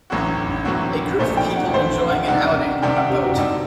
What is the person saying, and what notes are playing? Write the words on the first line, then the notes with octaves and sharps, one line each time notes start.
A group of people enjoying an outing on a boat.
A1 A2 F#3 C4 F#4
A1 A2 F#3 C4 F#4
A#1 A#2 A3 D#4 C5
G5
F#5
A#1 A#2 A3 D#4 C5
F#5
C3 D#3 G3 C4 D#4 F#5
C3 D#3 G3 C4 D#4 G5
F#5
G4
F#4
G2 D3 G3 C4 D#4